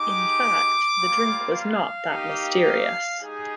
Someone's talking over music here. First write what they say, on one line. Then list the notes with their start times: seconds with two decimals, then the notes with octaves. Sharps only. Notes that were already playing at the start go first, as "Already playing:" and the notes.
In fact the drink was not that mysterious.
Already playing: G#3 D#4 G4 D6
0.99 G3 A#3 F4
1.54 F5
2.10 A#3 D#4 G4
2.65 F5
3.20 G#3 D#4 G4 G#4